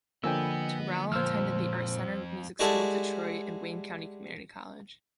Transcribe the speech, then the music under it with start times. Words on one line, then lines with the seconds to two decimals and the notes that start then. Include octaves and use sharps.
Terrell attended the Art Center Music School of Detroit and Wayne County Community College.
0.24 D3 F3 A#3 B3 D#5 G5 G#5 E6
1.12 F2 A#2 G#3 C5 E6 F6
2.59 G3 G#3 E4 F#4 A4